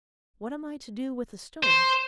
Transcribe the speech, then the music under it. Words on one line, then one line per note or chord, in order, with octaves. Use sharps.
"What am I to do with a stone?"
C5